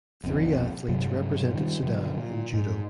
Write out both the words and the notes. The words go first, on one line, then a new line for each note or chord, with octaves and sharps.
Three athletes represented Sudan in judo.
F1 A#1 C4
G2 C3 F#3 G#3
D#3 G3
B2 D3 E3 F#3
A#2
G#2